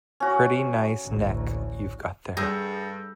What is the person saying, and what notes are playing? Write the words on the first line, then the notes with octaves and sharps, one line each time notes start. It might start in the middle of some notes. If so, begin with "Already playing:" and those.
Pretty nice neck you've got there.
C#4 F#4
A1 D2
G2 G3 A3 G#4 E6 G6 A#6